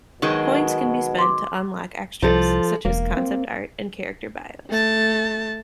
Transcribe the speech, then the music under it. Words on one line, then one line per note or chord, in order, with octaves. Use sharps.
Points can be spent to unlock extras, such as concept art and character bios.
B2 D#3 F#3 G#3
C6 D6
C2 F3 A4
E1 A#3
C4
A3 A5